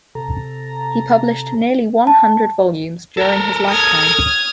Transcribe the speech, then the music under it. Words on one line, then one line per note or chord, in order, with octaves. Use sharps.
He published nearly one hundred volumes during his lifetime.
C3 A4 A#5
A5
A4 A#4
D#6 F6 G#6